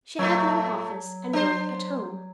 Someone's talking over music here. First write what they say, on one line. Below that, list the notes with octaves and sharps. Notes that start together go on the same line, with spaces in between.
She had no office, and worked at home.
A2 F#3 A3
D4 C5